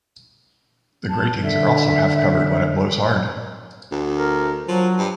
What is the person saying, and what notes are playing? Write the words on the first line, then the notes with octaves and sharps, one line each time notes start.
The gratings are also half covered when it blows hard.
A5
D3 E5
D2
A#4
F3 F#3
G2